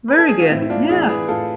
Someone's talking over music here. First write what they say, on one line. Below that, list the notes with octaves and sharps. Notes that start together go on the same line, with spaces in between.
Very good yeah.
B4
A4
G#4
F4
A2 C4 E4
E4
A2 D4 F4
E3 E4 G#4
E3 G#4 B4
A2 F4 A4